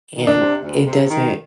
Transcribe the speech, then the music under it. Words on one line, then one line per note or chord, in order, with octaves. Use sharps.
And, it doesn't
D#3
D4
C3
D2
C3
D#3